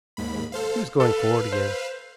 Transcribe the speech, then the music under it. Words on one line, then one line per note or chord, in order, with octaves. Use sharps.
He was going forward again.
D#2 G#2 B5
A4 C5 F5
A4 B4 F5
C5